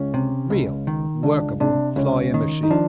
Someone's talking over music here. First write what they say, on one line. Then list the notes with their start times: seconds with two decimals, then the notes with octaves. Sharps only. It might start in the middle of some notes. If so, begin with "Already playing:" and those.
Real, workable, flying machines.
Already playing: C#2 C#4
0.14 C3
0.50 C#2
0.87 D#3
1.23 C#2 D4
1.60 C3 D4
1.96 C#2 C#4
2.34 D#3
2.63 D#4
2.70 F3 D4